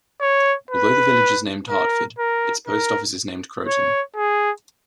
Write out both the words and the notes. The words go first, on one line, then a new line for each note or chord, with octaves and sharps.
Although the village is named Hartford, its post office is named Croton.
C#5
B4
A#4
A#4
A#4
C#5
G#4